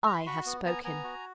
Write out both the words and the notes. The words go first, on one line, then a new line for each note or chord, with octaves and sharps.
I have spoken.'
A#5
B5
C6
F#4 B5 C#6
B3
B3 G#5 A#5
B3 G#5 A#5
F#4